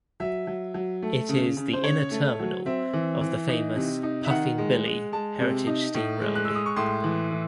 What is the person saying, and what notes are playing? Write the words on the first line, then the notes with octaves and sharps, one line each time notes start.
It is the inner terminal of the famous Puffing Billy heritage steam railway.
F#3 E5
F#3
F#3
A3
C#3
C#3
C5
C#3 C#5
A3
F#3
C4 E5
E3
E3
D#4
C3
D#4
E5
D#3 F#5
G#3
G#3
G#3 A5
C3
D#4
A2
G#3
F#6
G#3 E6
D#6
C#6
A2 C6
E3
E3